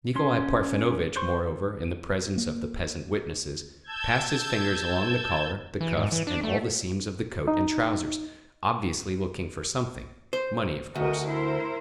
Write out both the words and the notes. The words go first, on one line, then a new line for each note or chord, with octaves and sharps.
Nikolay Parfenovitch, moreover, in the presence of the peasant witnesses, passed his fingers along the collar, the cuffs, and all the seams of the coat and trousers, obviously looking for something--money, of course.
C#4 C6
B4 C5 C6 C#6
A#3
A5 E6 G6 G#6
E3
G#2
E3
D4
A3
D#4
C5
D2 F#4 A#4 D#5
E4 A#4 C5